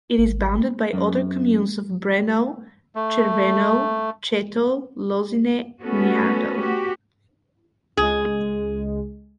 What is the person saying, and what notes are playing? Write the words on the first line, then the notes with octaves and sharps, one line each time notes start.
It is bounded by other communes of Breno, Cerveno, Ceto, Losine, Niardo.
G#1
F#2
A3
A3 B3 C#4 F#4 A4
F#4 G4
C#2 G#3 G#4